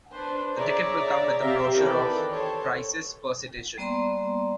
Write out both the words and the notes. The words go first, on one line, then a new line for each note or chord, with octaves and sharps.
The ticket will come with a brochure of prices per citation.
D4 B4 C5
G#4 C#5 D5 E5 A#5
C4 G4 E5 F5 G5 A#5
D#3 E3 A4 B4 D5 G5
A4 C5 C#5
G3 A#3 B3 D5 A#5 C6